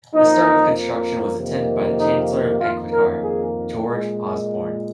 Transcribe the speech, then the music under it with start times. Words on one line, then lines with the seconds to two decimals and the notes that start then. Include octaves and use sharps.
The start of construction was attended by the Chancellor of the Exchequer, George Osborne.
0.13 F2 F3 A#3 D#4
1.36 F2 C3 D#3 A#3
1.98 D#4
2.60 F2 D#3 A#3 F4
2.91 A#4
3.22 G#4
3.84 A#2 G#3